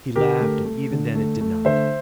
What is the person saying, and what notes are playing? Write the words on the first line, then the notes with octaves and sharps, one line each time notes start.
He laughed, and even then it did not.
D3 G4 A#4
A3
A3
D3
A3
A3
D3 C5 E5